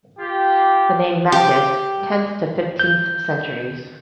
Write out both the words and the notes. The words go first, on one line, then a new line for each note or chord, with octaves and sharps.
The name "Maccus", tenth to fifteenth centuries.
F4 G4
G4
G6